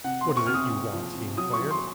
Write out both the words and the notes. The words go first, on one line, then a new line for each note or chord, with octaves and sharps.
"What is it you want?" he inquired.
C3 F#5
C6
C4
C#6
C3 F6
D#6
C3
F3
C3
F#3 D#6
C#6
F#3
C6